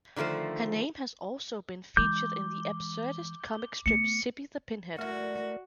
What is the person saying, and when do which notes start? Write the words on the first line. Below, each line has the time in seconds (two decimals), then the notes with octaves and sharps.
Her name has also been featured in the absurdist comic strip "Zippy the Pinhead".
0.16 D3 D#3 F3 A3 C5
1.97 E3 G#3 D6 G6
3.86 A3 B3 C#7
4.99 A3 D4 E4 F#4 A#4